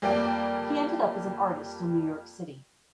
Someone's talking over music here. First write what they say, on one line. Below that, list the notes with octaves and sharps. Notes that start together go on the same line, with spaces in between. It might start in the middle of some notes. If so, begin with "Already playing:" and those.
He ended up as an artist in New York City.
F2 G3 A#3 D5 G5